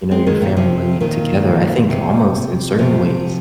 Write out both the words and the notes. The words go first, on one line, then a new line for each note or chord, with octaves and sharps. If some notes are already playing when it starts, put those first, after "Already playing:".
you know, your family together. I think almost in certain ways,
G#3 C4
D#3 G#3
A#2 D#3
C3 F3
A#2 D#3
C3
C3 F3